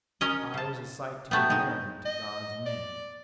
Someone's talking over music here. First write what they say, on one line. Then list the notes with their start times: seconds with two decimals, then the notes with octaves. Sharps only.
I was a sight to give merriment to gods and men.
0.21 C#4 A#4 D#5
0.54 C#3 A5
1.31 F#3 A3 B3 G5
1.50 G#3 D#4
2.05 D#5
2.66 D5